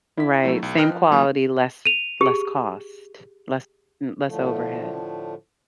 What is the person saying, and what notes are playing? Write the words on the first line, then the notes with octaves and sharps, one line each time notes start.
Right, same quality, less less cost, less m less overhead.
E4 B6
F#3 A3 E4
B1
B4 D#5 G5 F6 F#6
F3
D#2 F#3 A#3 F4
D#7 F7
G4 G#4
A2 D3 F3 A3